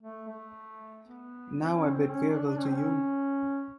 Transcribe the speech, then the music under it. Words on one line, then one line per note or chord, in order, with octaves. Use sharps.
Now I bid farewell to you.
A3
A3
B3
C4
C#4
C4
C#4
D4
D4
C#4
C4
C#4